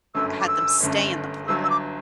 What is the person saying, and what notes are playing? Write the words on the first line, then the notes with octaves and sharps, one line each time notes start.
had them stay in the pool
G1 F#2 D3 A3 C#4 E6
D6
E6
G1 F#2 D3 A3 C#4
G1 G2 F#3 E6
E6
D6